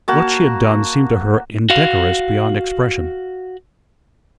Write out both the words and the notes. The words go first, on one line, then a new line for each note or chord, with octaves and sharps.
What she had done seemed to her indecorous beyond expression.
A#3 F#4 A5
F#4 F5